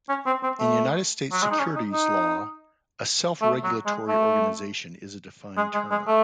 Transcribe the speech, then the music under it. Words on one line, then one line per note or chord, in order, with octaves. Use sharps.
In United States securities law, a self-regulatory organization is a defined term.
C#4
C4
C4
A3
F#3
G#3
D#4
C#4
D#4
D#4
A3
F#3
G#3
A3
G#3
G#3
G#3
A3